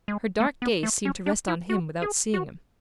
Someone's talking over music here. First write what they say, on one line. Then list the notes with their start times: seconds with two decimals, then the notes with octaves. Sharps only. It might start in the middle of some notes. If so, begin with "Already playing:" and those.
Her dark gaze seemed to rest on him without seeing him.
0.08 G#3
0.40 A3
0.62 B3
0.83 A3
1.05 C#4
1.26 D4
1.48 E4
1.70 F#4
2.02 G#4
2.34 F#4